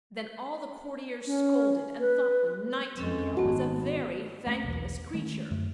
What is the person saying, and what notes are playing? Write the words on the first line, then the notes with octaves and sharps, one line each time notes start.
Then all the courtiers scolded, and thought the Nightingale was a very thankless creature.
C#4
B4
F2 G#3 C4 C#4 A4
G#1 D#3 B3 F#4 A5
A3 A#3 C4 C#4
B1 E2
D#3 G#3 A3 C#4
F#2 D3 A3